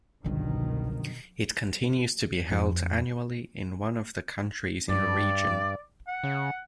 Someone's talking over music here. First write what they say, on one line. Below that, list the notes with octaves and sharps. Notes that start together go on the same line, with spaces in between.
It continues to be held annually in one of the countries in the region.
G1 C2 F#2 B2 D3 D#3 F3
F2
G2 D5
F#5
C#3